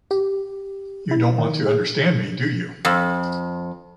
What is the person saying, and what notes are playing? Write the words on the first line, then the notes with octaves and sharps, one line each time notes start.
You don’t want to understand me, do you?
G4
E4
D#3
G#4
F2